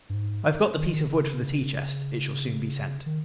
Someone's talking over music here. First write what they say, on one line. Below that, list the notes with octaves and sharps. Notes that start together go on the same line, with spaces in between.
I have got the piece of wood for the tea-chest; it shall soon be sent.
G2
G#2
D#3
C#3
D#3